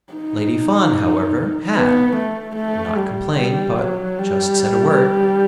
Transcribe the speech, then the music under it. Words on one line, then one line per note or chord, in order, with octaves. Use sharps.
Lady Fawn, however, had--not complained, but just said a word.
D#4
B3
A3
A3
G3
G3
F#3
G3